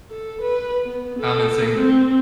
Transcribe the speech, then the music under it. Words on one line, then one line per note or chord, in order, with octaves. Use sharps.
common thing to
A4
B4
B3
A4
C4